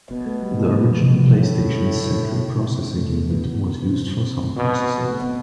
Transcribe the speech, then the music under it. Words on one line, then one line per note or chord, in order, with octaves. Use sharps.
The original PlayStation's central processing unit was used for sound processing.
B2 B3
B3
A3
G3
C3
D3
E3
F3
G3
F3
A2 D3
B2
C3
D3
A3
B3
B3
B3
C4
B2
A3
B3